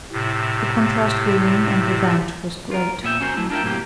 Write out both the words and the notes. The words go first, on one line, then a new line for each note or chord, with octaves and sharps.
The contrast within and without was great.
A2 C3
F4 A#4
A#2 B3 E5 G5
C#4 F#4 A#4 C5
F#3 A3 E4
D4 F4 A#4 E5 G5
A2 C3 F#3 A#3 G4